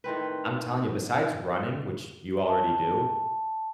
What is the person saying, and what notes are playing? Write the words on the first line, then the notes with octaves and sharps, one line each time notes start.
I'm telling you, besides running, which you already do,
A2 D#3 C4 B4
A5